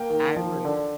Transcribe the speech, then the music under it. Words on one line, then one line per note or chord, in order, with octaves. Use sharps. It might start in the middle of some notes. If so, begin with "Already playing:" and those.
I agree.
Already playing: A#3 G5
D#3
F3
D3